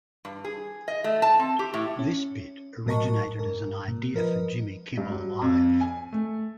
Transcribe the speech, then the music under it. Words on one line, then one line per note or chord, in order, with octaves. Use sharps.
This bit originated as an idea for Jimmy Kimmel Live!
G2
G#4
D#5
A3
A5
C4
G4
A2
C#4
A2 F#3 A#4 D#5 A5 C#6
G#2 A#4
A#2
F3 A#4 B4 D#5
G2
F#3
F2
G#5
A3